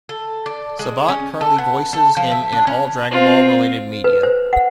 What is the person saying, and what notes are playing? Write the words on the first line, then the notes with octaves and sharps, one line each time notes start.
Sabat currently voices him in all "Dragon Ball" related media.
A4
D5
G#3
C#4
A4
B3
A4
F3
E5
D4
C#4
C4 F4
B4
C5
F#5